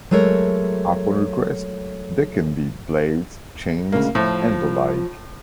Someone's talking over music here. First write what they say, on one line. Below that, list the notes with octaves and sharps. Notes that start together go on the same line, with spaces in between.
Upon request, they can be blades, chains, and the like.
F#3 G#3 A3 A#4 C#5
D2 C#3 G#3 A#3
A2 F3